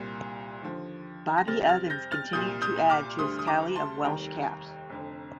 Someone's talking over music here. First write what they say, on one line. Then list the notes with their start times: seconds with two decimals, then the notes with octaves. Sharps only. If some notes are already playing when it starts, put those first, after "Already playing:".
Bobby Evans continued to add to his tally of Welsh caps.
Already playing: C2 A#2 G3
0.62 D#2 D3 F3
1.38 A#6
1.47 F2 C3 G3 F6 A6
1.69 F6 A6
1.90 G6 A#6
2.12 F6 A6
2.33 C2 A#2 G3 D#6 G6
2.62 D#6 G6
2.90 D6 F6
3.19 D2 D3 G3 C6 D#6
3.39 D#6
3.47 A#5 D6
3.76 A5 C6
4.04 F1 D#2 D#3 G3 G5 A#5
4.90 F1 F2 D3